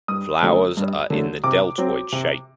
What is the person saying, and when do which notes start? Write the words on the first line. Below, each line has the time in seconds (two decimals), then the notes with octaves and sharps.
Flowers are in the deltoid shape.
0.08 G2 D#6
0.42 D3 F#3 A3
0.77 G2
1.10 D3 F#3 A3
1.44 C3 D6
1.78 F#3 C4
2.12 C3